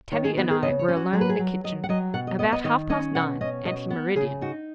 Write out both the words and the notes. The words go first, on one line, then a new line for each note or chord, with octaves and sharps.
Tabby and I were alone in the kitchen, about half-past nine ante-meridian.
D#3 C#5
G#4
B3 F#4
G#4
C#3 D#5
C#5
C#4
F#4
F#3 G#4
B4
G#4
F#3
F#3 D#5
F#5
F#3 D#5
B2 F#5
D#5
B3 D#5
D#5
D#3 D#5
C#4 D#5
B2 F#5
C#4 D#5
B2 D#5
B3
C#3 G#4
D#4 F#4